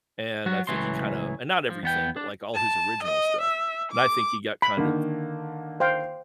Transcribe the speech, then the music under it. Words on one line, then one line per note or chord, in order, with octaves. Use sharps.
and I think he kinda and not everything, but, like, all his original stuff, and I think he got kind of
F#3 F#4
C#2 A2 E3 F#3 C6
F3
E2 B3 G5
D4
A5
D#5
E5
D6
B5
D3 D#3 A#3
C5 F5 G5